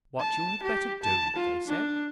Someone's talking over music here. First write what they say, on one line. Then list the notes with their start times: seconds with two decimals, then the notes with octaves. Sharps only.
'What you had better do?' they said.
0.19 A5
0.63 G4
1.03 A5
1.36 F4
1.67 D4